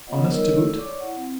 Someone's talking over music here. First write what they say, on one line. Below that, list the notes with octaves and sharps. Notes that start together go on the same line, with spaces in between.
Honest, to boot.
B3 F4 C#5 D#5 F#5
G3 D#4 A#4 C#5 D#5 E6
A4 E6
C#5 D5 C#6 D6
E4 F#5
C4